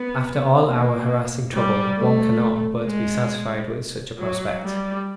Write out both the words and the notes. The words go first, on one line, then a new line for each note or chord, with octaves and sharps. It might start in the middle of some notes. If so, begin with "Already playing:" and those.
After all our harassing trouble one cannot but be satisfied with such a prospect.
Already playing: B3
A#3
G3
A3
G#3
F#3
G3